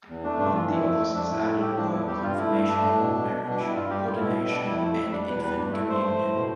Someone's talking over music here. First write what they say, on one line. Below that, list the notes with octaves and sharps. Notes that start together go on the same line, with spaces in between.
Among the offices added were confirmation, marriage, ordination, and infant communion.
E2
A3 D4
G2 D4
E3 F4
F2 E4
A3
F2
A3 D4
A2 E4
A3 E4
A2 G4
F3 D4
E2 E4
G3 G4
G2 F4
A3 E4
G2
A3 D4
A2
B2
B2
B2
B2
D4
G3 E4
G2 F4
G3 G4
A2 F4
B2 E4
B2
G3 D4
F2 E4
A3
F2
G3 D4
E2 B4
G3 B4
G2 D4
A3 E4
G2 C5
A3
A2
B2